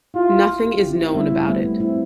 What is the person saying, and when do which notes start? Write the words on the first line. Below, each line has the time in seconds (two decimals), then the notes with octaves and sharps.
Nothing is known about it.
0.14 E4 F4 G4
0.65 E4 G4
0.77 E4 G4
0.89 C4 E4
1.02 A3 C4
1.15 G3 B3 E4
1.31 A3 C4
1.41 A3
1.47 G3 B3
1.64 A3 C4
1.80 C4 E4